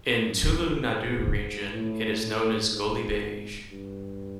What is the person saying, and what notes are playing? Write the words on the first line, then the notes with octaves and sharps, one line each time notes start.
In Tulu Nadu region, it is known as Golibaje.
F#2
G#2
A2
A2
G#2
G2